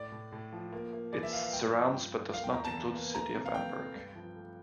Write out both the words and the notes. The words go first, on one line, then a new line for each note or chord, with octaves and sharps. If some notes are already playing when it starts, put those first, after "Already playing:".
It surrounds but does not include the city of Amberg.
Already playing: A2 D5
A2
A2
F3
A#3
A#3
E3 D5
E5
A#3 F5
F5
G2 G5
F3
G2 G5
D3
A#3 F5
G5
E2 A#5
A5
E3
A#3
A3 A#5
C3
F5
C3 G5
A3
G2
F3
A3